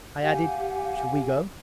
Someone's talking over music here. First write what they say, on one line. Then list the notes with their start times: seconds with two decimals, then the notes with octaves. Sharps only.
I added, "Shall we go?"
0.23 G4 F5 F#5 G#5